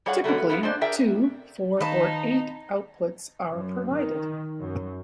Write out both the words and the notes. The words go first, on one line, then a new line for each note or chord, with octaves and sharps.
Typically, two, four or eight outputs are provided.
G3 G#4 C#5 F5 F#5
B2 D3 F#3 A3
B3
B3 D4 E4 F4
G#3 D4 C5 D5
G#4 A#4 D5 E5 G5
D#3 D#4 B4 F5 A5
F#2
D#3
F#2